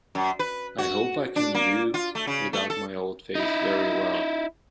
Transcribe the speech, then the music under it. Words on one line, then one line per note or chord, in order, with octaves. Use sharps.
I hope I can do without my old face very well.
F#2
B4
F#4
D4
A#3
F4
A3
C#3
A3
A4
D#4 E4